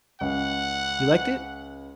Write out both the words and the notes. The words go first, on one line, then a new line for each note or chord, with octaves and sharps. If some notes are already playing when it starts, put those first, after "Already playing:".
You liked it?
C#2 F#5